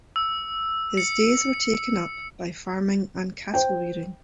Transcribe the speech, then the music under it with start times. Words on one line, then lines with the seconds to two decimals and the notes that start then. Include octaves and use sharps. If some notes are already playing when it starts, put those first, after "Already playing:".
His days were taken up by farming and cattle rearing.
0.16 E6
0.97 C#7
3.54 C5 G5